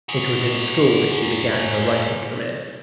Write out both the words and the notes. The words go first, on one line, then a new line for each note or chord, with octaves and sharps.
It was in school that she began her writing career.
F#4 G#4